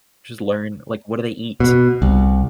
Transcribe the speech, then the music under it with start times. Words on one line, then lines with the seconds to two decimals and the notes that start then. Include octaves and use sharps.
Just learn, like, what do they eat?
1.60 B2
2.02 C2